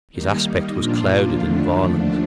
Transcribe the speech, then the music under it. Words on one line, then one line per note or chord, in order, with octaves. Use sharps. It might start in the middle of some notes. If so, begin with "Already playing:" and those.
His aspect was clouded and violent.
D#3 G3 A#3 D#4
A#2 F3 A#3 D4 F4
D#2 D3 F3 A3 D4